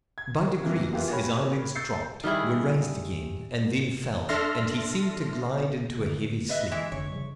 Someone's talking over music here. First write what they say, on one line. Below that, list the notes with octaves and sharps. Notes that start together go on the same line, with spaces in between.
By degrees his eyelids dropped, were raised again, and then fell, and he seemed to glide into a heavy sleep.
G#6
F2 C3 E3 A#3
B2 E3 A#3 F4 G4 G#4
F#4 G#4 A#4 C#5 G5 B5
E6 G6 A6 C7 C#7
D#3 G3 E4 G#4
D4 A4 E5 C6 F6 A#6
D3 D#3 A3
B4 D#5 E5
E3 G#3 E5
F1 D3 C#5
C#3 F3 G3